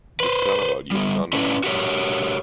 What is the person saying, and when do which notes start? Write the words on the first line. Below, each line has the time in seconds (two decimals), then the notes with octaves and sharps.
This Carnaval, use condoms.
0.20 B4 C5
0.91 G3 B3
1.33 C#4 D4 E4 B4
1.64 F#4 G4 A#4 C#5